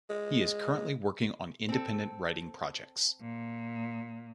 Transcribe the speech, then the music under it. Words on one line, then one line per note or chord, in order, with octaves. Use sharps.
He is currently working on independent writing projects.
G#3
C4 A4
A#2